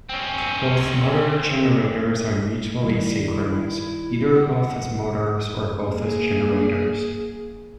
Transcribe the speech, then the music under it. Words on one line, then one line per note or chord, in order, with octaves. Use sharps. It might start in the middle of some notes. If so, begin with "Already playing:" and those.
Both motor-generators are mutually synchronous, either both as motors, or both as generators.
C4 C#4
D#3 G3 E4
F#5
A#3 G#4